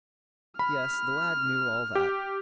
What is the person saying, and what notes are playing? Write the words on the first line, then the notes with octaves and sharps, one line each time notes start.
Yes; the lad knew all that.
B5 F6
G4